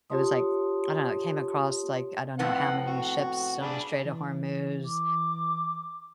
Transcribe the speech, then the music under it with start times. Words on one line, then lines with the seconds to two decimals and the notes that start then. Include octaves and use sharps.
it was like, I don't know, it came across like I don't know how many ships on the Strait of Hormuz
0.10 F4 G4 C#5 A5 C6 D#6
2.39 F2 A2 B3 F#5
2.87 F#4
3.62 D4 G#4 B5
4.05 E3
4.84 D6